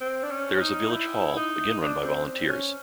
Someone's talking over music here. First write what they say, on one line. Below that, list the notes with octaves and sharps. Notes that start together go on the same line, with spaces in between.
There is a Village Hall, again run by volunteers.
C4
D4
C#4
D#4
E4
D#4
D4
C4
C4
C#4